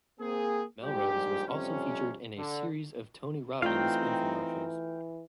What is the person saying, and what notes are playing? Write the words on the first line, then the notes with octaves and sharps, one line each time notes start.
Melrose was also featured in a series of Tony Robbins infomercials.
A#3 C4 G#4
A#1 G#2 G3 G4
F2 C3 G3 C#4
D3
E3 A3 C4 D#4 F4 D5 F5 G5